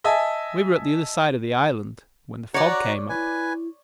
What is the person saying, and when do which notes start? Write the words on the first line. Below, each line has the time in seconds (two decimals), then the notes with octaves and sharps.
We were at the other side of the island when the fog came up.
0.04 D#5 E5 G#5 A5
2.54 F#4 C#5 D5 A#5 F#6
3.09 E4 B4 G#5